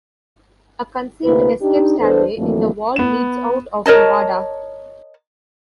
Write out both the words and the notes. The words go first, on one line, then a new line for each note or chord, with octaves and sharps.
A concealed escape stairway in the wall leads out of the Wada.
D2 C3 A#3 E4 B4
D4 D#4 G4
E2 B3 D4 A4 C5
F2 D3 E3 F#3 A3 A#3
B3 E7
A#4 C#5 D#5 A5